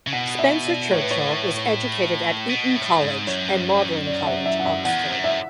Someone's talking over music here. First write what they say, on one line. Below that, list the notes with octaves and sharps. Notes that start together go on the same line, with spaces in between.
Spencer-Churchill was educated at Eton College and Magdalen College, Oxford.
C#3
B2 F#5
E5
D5
A2 C#5
B4
C#5
B2
A2
G#2
F#2 C#5
D5
F#5
E5
E5
F#5
E5
E2 F#5
F#2
E5